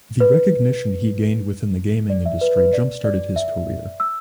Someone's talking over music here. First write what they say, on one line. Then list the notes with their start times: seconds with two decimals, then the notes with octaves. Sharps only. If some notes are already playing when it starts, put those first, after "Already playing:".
The recognition he gained within the gaming industry jump-started his career.
0.20 B4
2.10 D5
2.26 E5
2.41 B4
2.57 B4
2.73 D5
3.05 D5
3.36 E5
4.00 E6